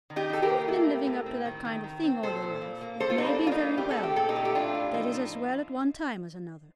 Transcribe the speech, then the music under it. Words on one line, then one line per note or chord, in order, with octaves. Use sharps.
If you have been living up to that kind of thing all your life, it may be very well; that is as well at one time as another.
D#3
D#4 G4
D#3 A4
G4 A#4
A#3
A3
A2
A2
C4
D#3
D#3
D#3
C4
A#2 A4 C5
A#2
A#2
A#3
A#3 A4 C5
F4
G3 D#4
D4
A#3
F4
D#4
A#3
A3 G4
A4
C4
G4
A#2 A4
D#4 G4
A3
G4
A2 D4 F4
A2
F3 D#4
F3